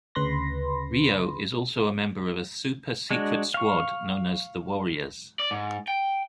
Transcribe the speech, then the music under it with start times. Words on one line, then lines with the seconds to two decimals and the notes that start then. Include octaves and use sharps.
Rio is also a member of a super-secret squad known as "the Warriors".
0.15 D2 C#3 B4 B5 C6 A#6
3.11 G#3 D4 F#4
3.54 F5 C#6
5.40 D5
5.51 G#2
5.88 G5